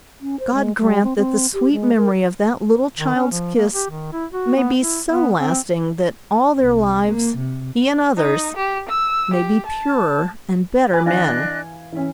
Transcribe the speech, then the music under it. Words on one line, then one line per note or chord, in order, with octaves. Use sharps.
God grant that the sweet memory of that little child's kiss may be so lasting that all their lives, he and others, may be purer and better men.
C#4
C5
G#3
G3
C4
C4
G4
G#3
A#4
D#3
C#4
F3
A#3
G4
D#3
E4
F#4
B3
E4
B3
C4
C2
A#3
C3
D#4
G4
E6
G4
A5
B4 G#5 B5 D6
E3 D4 D#5 F5 G#5 F#6
E3 C#4 E5